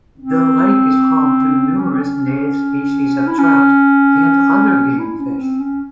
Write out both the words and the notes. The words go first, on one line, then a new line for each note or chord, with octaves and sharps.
The lake is home to numerous native species of trout, and other game fish.
C4
C#4
C4
C#4
E4
C#4
E4
C#4
C4
C#4